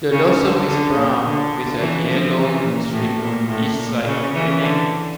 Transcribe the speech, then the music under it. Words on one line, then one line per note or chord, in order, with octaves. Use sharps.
The dorsum is brown, with a yellow streak on each side of the neck.
C#3
D3
D3
A#2
D3
C#3 E3
D3 F3
C#3 E3
A#2
A2
A#2
A2
A#2
C#3
C#3 E3
D3